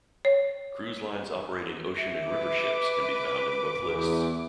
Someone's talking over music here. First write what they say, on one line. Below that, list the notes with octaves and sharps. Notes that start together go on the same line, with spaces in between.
Cruise lines operating ocean and river ships can be found in both lists.
C#5
E5
B4 D6
E2 G#4